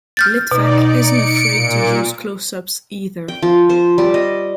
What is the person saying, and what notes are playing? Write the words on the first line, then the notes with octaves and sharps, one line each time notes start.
Litvak isn't afraid to use close-ups either.
F6 G6 A6
B2 D#4 D5
C#7 D7
A#2
G5
F3
C5
G3
D#5